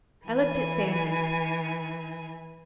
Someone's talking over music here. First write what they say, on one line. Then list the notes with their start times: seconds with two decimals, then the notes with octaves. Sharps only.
I looked at Sandy.
0.25 E3 G#5